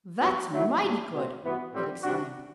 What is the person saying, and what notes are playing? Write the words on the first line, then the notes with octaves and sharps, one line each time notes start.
"That's mighty good!" it exclaimed.
G2 F#3 B3 F#4
D3 F#3 A3 E4
A2 G3 D4
B2 A3 C4
G2 E3 B3 F#4
A2 G3 C4 E4
C3 G3 D4 F#4